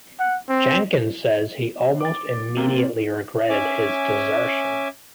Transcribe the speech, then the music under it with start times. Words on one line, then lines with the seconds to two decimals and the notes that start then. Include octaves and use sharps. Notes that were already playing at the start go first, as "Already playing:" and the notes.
Jenkins says he almost immediately regretted his desertion.
0.19 F#5
0.49 C4
2.01 D6 A6
2.57 C3 A#3 C4
3.50 C#4 E5 G#5 D6